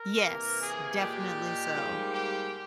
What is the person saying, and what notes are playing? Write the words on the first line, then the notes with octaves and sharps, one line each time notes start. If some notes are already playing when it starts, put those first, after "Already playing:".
Yes. Definitely so.
Already playing: A#4
C3 E3 A#3
G#4
A#2 G#3 G4
G#2 G3 A#3
G4